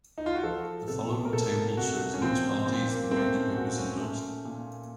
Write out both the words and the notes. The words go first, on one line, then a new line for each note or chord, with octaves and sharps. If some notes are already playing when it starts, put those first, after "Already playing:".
The following table shows which parties the major papers endorsed.
D#4
F4
F#4
F3 A4
C3 A4
A#4
A#3 A4
C3 F#4
C#4
F3 C4
A#2 C4
A#3
A3 C4
C#4
A#2 F#4
C#4
A3
A#2